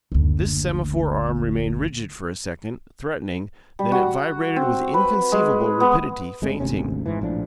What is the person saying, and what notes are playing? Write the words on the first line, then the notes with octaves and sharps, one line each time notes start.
This semaphore arm remained rigid for a second, threatening; then it vibrated with inconceivable rapidity, feinting.
F#1 D2
G3
F#4
C4
B4
G#3
B3
G1 G#3 C4
G#1 D2 C3 C#4
G#1 G#2 E3
A#1 A2 F3 D4